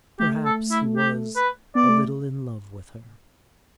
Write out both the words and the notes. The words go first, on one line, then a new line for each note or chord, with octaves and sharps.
Perhaps he was a little in love with her.
A3 G4
A4
E4
G4
B4
B3 D5
A3